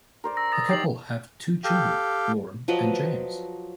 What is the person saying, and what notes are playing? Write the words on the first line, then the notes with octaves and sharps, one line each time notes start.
The couple have two children, Lauren and James.
A#4 C5 D5
E6 A#6
D#6 A6 A#6
D#3 G4 A6 C7 F#7
G4 A4 F5 G5
F3 F#3 B4 D#5